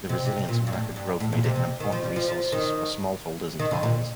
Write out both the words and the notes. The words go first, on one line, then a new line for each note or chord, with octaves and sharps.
The resilience and rapid growth made it an important resource for smallholders and farmers.
C3
C3
A#2
G2
A2
G2
A2
A#2
C3
C3
D#3
F3
G3
F3
F3
D#3
D#3
D3
A#2